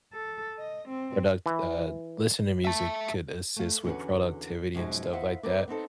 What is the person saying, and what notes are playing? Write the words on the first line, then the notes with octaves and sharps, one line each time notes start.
product uh, listen to music could assist with productivity and stuff like that,
A4
D#5
C4
E3
E5 A5
A3 F5
E2 D3 C#4 F4 F#4 B4
F#2 B2 F3 F#3 G#3 D#4
E4 C5 D#5 F5 F#5
C4 A#4 B4 D5
B3 C4 D#4 A4